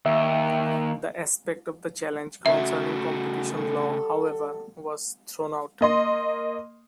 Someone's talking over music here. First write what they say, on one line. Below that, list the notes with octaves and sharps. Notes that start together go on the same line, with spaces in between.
The aspect of the challenge concerning competition law however, was thrown out.
D#2 E5
C#3 A3 F#4 E5
G3 F#4 A4
A#3 D#5 C6